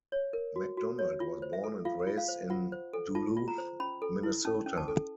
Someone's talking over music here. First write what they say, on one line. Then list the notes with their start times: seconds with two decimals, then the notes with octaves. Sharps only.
McDonald was born and raised in Duluth, Minnesota.
0.12 C#5
0.33 A#4
0.56 F#4
0.77 F#4
0.99 C#5
1.20 F4
1.42 C5
1.53 E5
1.64 A4
1.85 F4 F5
2.07 F4
2.18 F5
2.28 C5
2.50 F4 F#5
2.72 C5
2.93 A4
3.15 F4 A5
3.37 F4
3.48 A#5
3.58 C5
3.80 C#4 B5
4.02 A4
4.23 E4
4.45 C#4 A5
4.66 C#4
4.77 A5
4.88 A4